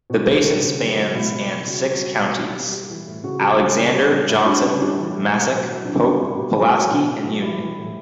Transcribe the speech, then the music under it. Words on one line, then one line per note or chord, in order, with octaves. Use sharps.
The basin spans and six counties: Alexander, Johnson, Massac, Pope, Pulaski and Union.
B2 F#4
G3
G3
C#3
F#3
F#3
B2 E4
G3
G3
C#3 F#4
G3
F#4
G3
B2
G3
G3
G3
E3
A2
C#3 F#4
G3
G3
C#3
G3
G3
A2 E4
G3 D4
G3 C#4
G3 D4
E3
A2
B2
F#3
F#3
A2 D4
G3 D4
F#4
G3 E4
B2 G4
F#3 F#4
F#3 E4
B2 D4
F#3
F#3
G3 E4
E3
A2